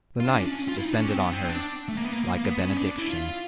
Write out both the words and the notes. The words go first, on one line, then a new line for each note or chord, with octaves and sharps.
The nights descended on her like a benediction.
F4
D4
C#4
D4
C#4
F4
E4
D#4
D4
C#4
C4
B3
C4
D4
A3
A#3
B3
A#3
A#3
A#3
B3
C#4
D4
E4
F4